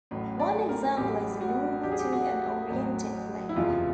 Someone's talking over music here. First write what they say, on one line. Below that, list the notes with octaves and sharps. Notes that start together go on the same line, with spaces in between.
One example is the normal to an oriented plane.
A1 A2 F#3
D5
A#4
A1 A2 F#3 G4
F#4
A1 A2 F#3 G4
G#4
G4
F#4
A1 A2 F#3
E4
F#1 E2 C3 F3 G#3 F4